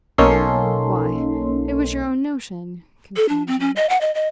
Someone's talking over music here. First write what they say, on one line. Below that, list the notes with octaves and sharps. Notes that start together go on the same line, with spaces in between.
"Why, it was your own notion, confound you!"
B1 A#3 C#4 D#4 A4 C6
A4
D4
C4
C#4
D#5
F#5
D#5
D#5